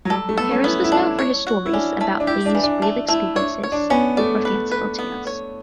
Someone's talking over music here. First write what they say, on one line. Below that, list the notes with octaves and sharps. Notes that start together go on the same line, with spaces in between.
Harris was known for his stories about things real experiences or fanciful tales.
F#3
G3 A4
A3
B3 A4
C#4
B3 E4
E4
D4
C#5
F#4
E4
C#4 D4
A3
D4
E4 G4
D4
E3
D4
A3
A3 E4
D4 C#5
C#5
D4
B3 C#4
A3 D5
B4
B4
B3
C#5